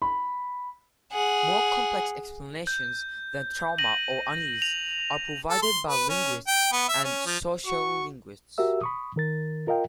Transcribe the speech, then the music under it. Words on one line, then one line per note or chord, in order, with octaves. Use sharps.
More complex explanations than "trauma" or "unease" are provided by linguists and sociolinguists.
B5
G#4 F#5
G6
A#6 D#7 F#7
F7
A4
C6
B4
C#4
G5
B3
E5
C#4
F3
F#4 C#6
F#4 G4 A#4 E5 E6
B5 C#6 D#6
D#3 A#4 A6
F4 A#4 D#5 F5 G5